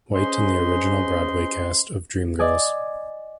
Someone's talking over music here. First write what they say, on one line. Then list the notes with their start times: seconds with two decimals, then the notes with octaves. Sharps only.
White in the original Broadway cast of "Dreamgirls".
0.14 C#4 G#4 B4 C5 D#5 C6
2.39 D5 D#5 G#5